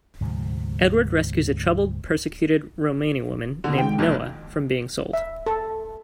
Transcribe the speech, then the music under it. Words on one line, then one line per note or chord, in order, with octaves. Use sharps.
Edward rescues a troubled, persecuted Romani woman named Noah from being sold.
D2 G#2 C3 F3
B2 D3
D#3 G#3 G5
B1 F2 A#2
E5
A4